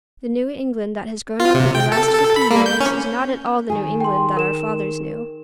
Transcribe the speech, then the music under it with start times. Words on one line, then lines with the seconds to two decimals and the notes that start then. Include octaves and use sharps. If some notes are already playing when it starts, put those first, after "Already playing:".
The New England that has grown up with the last fifty years is not at all the New England that our fathers knew.
1.40 F4
1.54 C3
1.75 G5
1.92 A4
2.13 A4
2.36 B5
2.51 A#3
2.66 G6
2.81 C#4
3.70 D#3 G#4
4.00 G5 C6
4.37 A#4 E7